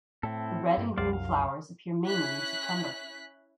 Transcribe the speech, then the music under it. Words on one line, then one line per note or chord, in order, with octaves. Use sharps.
The red and green flowers appear mainly in September.
A2 C4 E4 A4
G2
C2 F#2 F#3 C5 D5 F5
F5
C#4 E4 F#6 B6